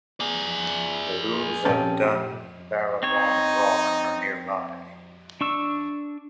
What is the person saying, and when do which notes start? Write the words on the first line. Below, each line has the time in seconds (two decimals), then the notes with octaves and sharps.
The ruins of Dun Barraglom broch are nearby.
0.20 G#4 D5
1.65 F2 A#2 C#4 G4 A4
3.03 C4 D#4 C#5
5.41 D4 C#6 E6